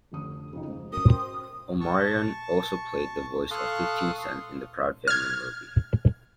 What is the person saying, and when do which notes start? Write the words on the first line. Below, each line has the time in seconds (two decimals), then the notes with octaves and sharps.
Omarion also played the voice of Fifteen Cent in The Proud Family Movie.
0.12 F1 D3 D#6
0.53 F2 C#3 D#4
0.68 G#2
0.93 C#4 F#4 A#4 D#6
1.07 C5 G5 C6
1.81 A5 C#6
3.51 A4 F5 C6 C#6 D#6 F#6
5.08 F6 G#6